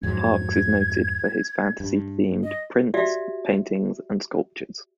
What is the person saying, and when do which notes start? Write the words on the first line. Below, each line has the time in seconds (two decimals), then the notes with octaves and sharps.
Parkes is noted for his fantasy-themed prints, paintings and sculptures.
0.03 F2 G#2 F#3 G#6
1.80 G2
2.43 D#5
2.94 F#4 G4 D5 E5 F5